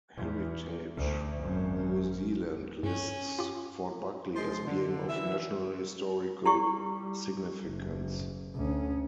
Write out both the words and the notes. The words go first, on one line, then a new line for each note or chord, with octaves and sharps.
Heritage New Zealand lists Fort Buckley as being of national historical significance.
E2
D2
G#1 F#2
G2 C#4
F4 G4
F3 G#3 C6
D3
E3 E5
G3 E4 G4 C#6
F#1
D2 C#4